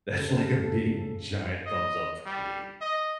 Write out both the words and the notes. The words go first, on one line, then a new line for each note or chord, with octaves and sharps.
that's, like, a big giant thumbs up for me.
D2 C#3 A4
D#5
G3
D#5